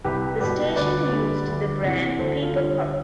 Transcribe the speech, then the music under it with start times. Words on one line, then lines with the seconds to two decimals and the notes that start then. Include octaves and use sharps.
The station used the brand "People Power".
0.04 C2 G4 B4
0.40 B2 G3 G4 B4
0.76 D2 B4 D5
1.12 D3 G3
1.47 D2
1.83 C3 E3
2.18 D2 A4 C5
2.43 F4 A4
2.55 D3 G3